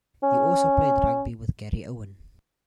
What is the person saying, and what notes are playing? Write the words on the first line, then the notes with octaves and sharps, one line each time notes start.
He also played rugby with Garryowen.
C#4